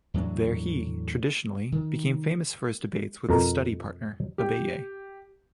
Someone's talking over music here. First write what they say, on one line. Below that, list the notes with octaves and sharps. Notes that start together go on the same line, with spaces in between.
There he, traditionally, became famous for his debates with his study-partner Abaye.
E2 A2 F#3 D4
D#3
F2 B2 A#4 A#5
G4